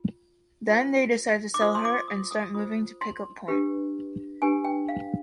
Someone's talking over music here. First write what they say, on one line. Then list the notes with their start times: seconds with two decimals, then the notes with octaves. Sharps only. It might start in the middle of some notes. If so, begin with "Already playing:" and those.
Then they decide to sell her and start moving to pick up point.
Already playing: F4
0.68 F4 C5
1.54 D6
1.61 F4 C5 D#6
1.75 C6
1.85 D6
2.08 D#6
2.31 D#6
2.54 F4 C5 D#6
3.01 C6
3.48 D4 G4 B4
4.42 D4 G4 B4 G#5
4.65 G5
4.89 F5